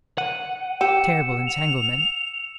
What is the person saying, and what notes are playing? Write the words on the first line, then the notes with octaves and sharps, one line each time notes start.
Terrible entanglement!
F#5 D#7
G4 E6 C#7 E7
F7